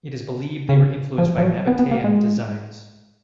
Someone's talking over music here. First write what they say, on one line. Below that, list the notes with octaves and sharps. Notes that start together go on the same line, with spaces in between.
It is believed they were influenced by Nabatean designs.
C#3
F3
F3
F#3
B3
B3
A#3
G#3